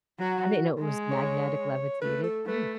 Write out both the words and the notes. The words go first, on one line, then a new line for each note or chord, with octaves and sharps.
I didn't know it was magnetic levitated, mm.
F#3 F#4
G#3
C#5
A3 B4
A4
A3 B4